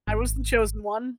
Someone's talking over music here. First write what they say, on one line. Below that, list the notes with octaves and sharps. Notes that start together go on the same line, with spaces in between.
I was the chosen one.
G#1